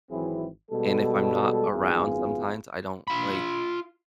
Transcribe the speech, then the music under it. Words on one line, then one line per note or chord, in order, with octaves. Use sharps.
And if I'm not around sometimes, I don't, like,
G#1 E3 F#3 C4 E4 G#4
B2 G3 G#3 A4
G#1 F#2 B3 F4 G#4
F4 B5